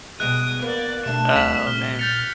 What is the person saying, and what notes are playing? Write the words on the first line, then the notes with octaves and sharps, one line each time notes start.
Oh, man.
B2 G3 G#3 D#6 F#6 D7
A#3 B3 D5
B2 G3 A3 D4 E7
D#2 B6 F#7
A#2 F6 G7
F6 G6 A6 C#7